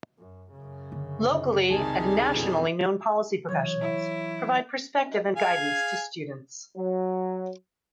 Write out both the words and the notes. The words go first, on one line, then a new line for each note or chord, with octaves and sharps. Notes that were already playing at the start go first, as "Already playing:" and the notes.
Locally- and nationally-known policy professionals, provide perspective and guidance to students.
F#2
F#2 C#3
D3
C#2 C3 D#3 G3 G#4 G#5 A5
F2 B2
E3 F#3 C#5
E4
G#4 F5 G#5
F#3